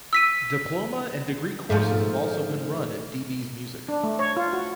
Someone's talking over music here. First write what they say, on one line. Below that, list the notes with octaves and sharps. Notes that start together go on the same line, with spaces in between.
Diploma and degree courses have also been run at dBs Music.
E6 B6 D#7
G#2 F3 A3
D4
A3
C#5
F4
F#4